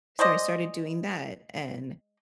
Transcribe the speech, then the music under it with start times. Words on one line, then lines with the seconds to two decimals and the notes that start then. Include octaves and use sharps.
So I started doing that, and
0.19 G#3 C5 D5 D#5